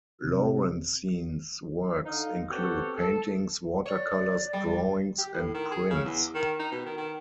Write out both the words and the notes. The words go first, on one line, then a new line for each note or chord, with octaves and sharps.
Laurencin's works include paintings, watercolors, drawings, and prints.
C3
D3 D#4 F5
B3 C4 F#4 G4 A4 C#5
A4
C#5 D5
G3
G4
A2
D#3
G#4
C#3
E2
D#3
D#4
B2
D#3
D#3